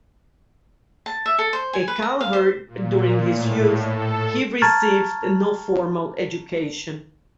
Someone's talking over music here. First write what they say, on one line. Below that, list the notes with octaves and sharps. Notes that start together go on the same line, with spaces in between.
A cowherd during his youth, he received no formal education.
A5
E5
A4
C5
G#5
B4
A#5
F5
C5
A#2
A2
A4
A5 A#5 C#6 F6 G#6 A6